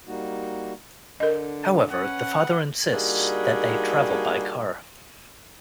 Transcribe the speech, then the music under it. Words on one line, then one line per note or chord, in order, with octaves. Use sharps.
However, the father insists that they travel by car.
G3 A#3 D#4 F#4
D3 A#4 D#5
C#4 B4 F#5
G3 A#3 D4 D#4 F#4 G#4